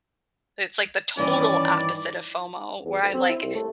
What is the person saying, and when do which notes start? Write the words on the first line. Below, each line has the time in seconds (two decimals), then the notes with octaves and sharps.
it's like the total opposite of FOMO where I'm like,
1.17 G2 D#3 E3 C#4 D5
2.85 E2
3.02 D2
3.14 C4
3.29 E4
3.43 C2
3.55 A3